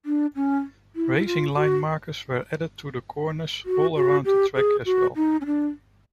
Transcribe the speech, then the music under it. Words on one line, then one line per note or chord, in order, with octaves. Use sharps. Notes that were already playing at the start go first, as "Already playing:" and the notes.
Racing line markers were added to the corners all around the track as well.
D4
C#4
E4
E4
F4
F#4
F#4
F#4
G4
G#4
F#4
D#4
C#4
D4